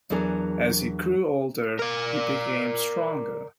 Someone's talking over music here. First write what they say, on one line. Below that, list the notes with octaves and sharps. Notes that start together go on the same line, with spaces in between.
As he grew older he became stronger.
E2 F#3 D4 G#4 A#4
A#4 D5